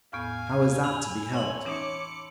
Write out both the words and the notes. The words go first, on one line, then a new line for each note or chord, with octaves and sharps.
How is that to be helped?
E2 A2 B3 F5 G#5
B5 E6 F7
C#5 A5 C6 F#7
E3 C#4 D#4 D6 C#7